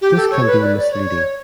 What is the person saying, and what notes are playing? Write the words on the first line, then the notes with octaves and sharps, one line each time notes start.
This can be misleading.
G4
A4
C#5
B4
D5
D5
C#5